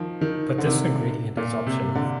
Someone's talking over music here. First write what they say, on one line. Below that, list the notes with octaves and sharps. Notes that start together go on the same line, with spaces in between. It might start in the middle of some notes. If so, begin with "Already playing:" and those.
But this ingredient is optional.
Already playing: D#3 F3
D#3
D3
C3
A#2
C3
D3